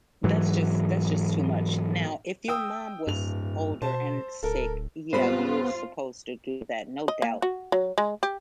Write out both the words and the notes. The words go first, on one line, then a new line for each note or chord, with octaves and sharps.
That's just that's just too much. Now, if your mom was older and sick, yeah, you're supposed to do that, no doubt.
G#2 E3 F#3
G5 D#6 E6
D1 G2 F7
B2 C5 A5
D1 A4 A#4
G#1 G3 B3 F4 C5 B5
D#5
A#3
F#4
F#3
G#3
G4